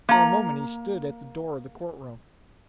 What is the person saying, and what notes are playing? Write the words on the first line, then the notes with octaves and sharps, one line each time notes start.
For a moment he stood at the door of the court-room.
A#3 A#5